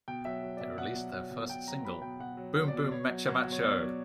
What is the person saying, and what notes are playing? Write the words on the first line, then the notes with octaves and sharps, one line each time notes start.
They released their first single, Boom Boom Meccha Maccho!
B2 G5
F#3 E5
F#3
D5
B2 E5
B2 F#5
F#3
F#3
B2
B2 G5
F#3 A#5
F#3 B5
B2 G5
B2 F#5
F#3
F#3
D5
B2
B2 C#5
F#3
F#3 C#5
B2
C#5
B2 D5
F#3